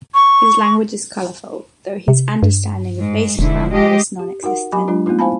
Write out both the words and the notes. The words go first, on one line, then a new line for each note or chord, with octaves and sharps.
His language is colourful though his understanding of basic grammar is non-existent.
C#6
C3
G2
G#2
E1 G#2 D3 E4
G#3 G4 D#5
G4
D#4 F#4 A#4 F#5
F#3 G4 G#5 B5 D6
F#3 G#3 D4 F4
A3 B3 C4 D#4 F4
E4 C5 F5 G#5 A5 B5